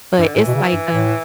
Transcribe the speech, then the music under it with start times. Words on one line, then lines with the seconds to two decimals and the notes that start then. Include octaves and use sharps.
but it's like a
0.18 G2 E3
0.27 D3
0.35 A2 E3
0.47 B2
0.55 C#3
0.73 G2
0.91 A2